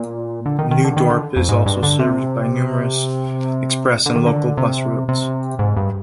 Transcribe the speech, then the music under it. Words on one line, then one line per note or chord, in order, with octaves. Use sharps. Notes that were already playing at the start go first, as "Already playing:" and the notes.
New Dorp is also served by numerous express and local bus routes.
Already playing: A#2
D3
D#3
D#3
D3
D#3
D3
F2
G#2
G2
D3
C3
D3
D#3
D3
C3
C3
G#2
G2